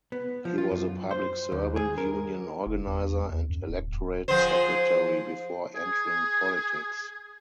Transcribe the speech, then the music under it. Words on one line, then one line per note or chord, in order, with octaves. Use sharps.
He was a public servant, union organiser and electorate secretary before entering politics.
B3
F3
F4
F#2
C5
D#2
G#4
A#4
F#1
E2
D#2
F#2
D1
F3 G#4 C5
G#4 G#6